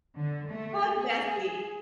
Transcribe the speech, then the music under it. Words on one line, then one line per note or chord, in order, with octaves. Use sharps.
So, like, messy
D3
A3
G#4